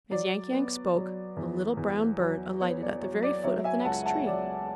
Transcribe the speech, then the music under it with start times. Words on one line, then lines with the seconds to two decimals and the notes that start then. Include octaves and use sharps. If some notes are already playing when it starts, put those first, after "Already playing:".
As Yank-Yank spoke, a little brown bird alighted at the very foot of the next tree.
0.11 F#3 D5
0.52 B3
0.95 F#3
1.37 E2
1.77 E2
2.20 F#3
2.60 B3 C#5
2.82 D5
3.02 F#3 C#5
3.23 D5
3.44 F#3 C#5 E5
3.64 E5 G#5
3.85 C#2 F#5 A5
4.06 F#5 A5
4.27 F#3 D5